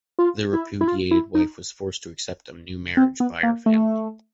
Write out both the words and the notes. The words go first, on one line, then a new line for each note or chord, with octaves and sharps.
The repudiated wife was forced to accept a new marriage by her family.
F4
E4
E4
F4
E4
D#4
C4
B3
A#3
A3